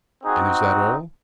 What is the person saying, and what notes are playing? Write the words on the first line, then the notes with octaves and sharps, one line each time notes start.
"And is that all?"
C4 D#4 F#4 G#4